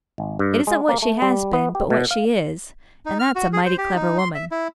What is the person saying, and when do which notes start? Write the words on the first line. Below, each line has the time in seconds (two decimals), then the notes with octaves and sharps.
It isn't what she has been, but what she is, and that's a mighty clever woman.'
0.18 G#1
0.39 G2
0.67 G#3
0.89 A#3
1.02 A3
1.22 G3
1.53 B3
1.75 G4
1.90 B2
2.11 F5
3.06 D#4
3.19 F6
3.36 F#4
3.53 G#4
3.65 C5
3.78 G4
3.95 D#4
4.18 C6
4.35 E5
4.51 E4